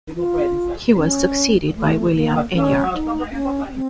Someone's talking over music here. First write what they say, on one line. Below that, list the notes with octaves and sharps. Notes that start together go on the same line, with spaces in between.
He was succeeded by William Enyart.
F4
C#4
A3
A#3
C#4
D#4
C#4
C4